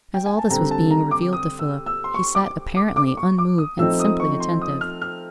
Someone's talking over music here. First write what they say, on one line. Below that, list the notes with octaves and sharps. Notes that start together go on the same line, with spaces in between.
As all this was being revealed to Philip, he sat apparently unmoved and simply attentive.
G5
G#5
A5
D3 G3 C4 A#5
A5
A#5
D6
D#6
E6
E6
C6
C#6
D6
D6
D6
C#6
D6
D#6
F3 A3 C4 D#4 E6
D#6
C#6
C6
D#6
F6
F6